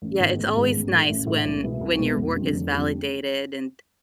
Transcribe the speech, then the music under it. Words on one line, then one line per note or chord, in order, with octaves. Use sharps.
yeah, it's always nice when when your work is validated and
A1
G#2 D#3 G#3 B3
A1
G#2 D#3 G#3 B3
A1
A2 E3 A3
A1
A2 E3 A3
C2
B2 G#3 B3 E4
C2
B2 G#3 B3 E4
F1
F2 D3 G3
F1
F2 D3 G3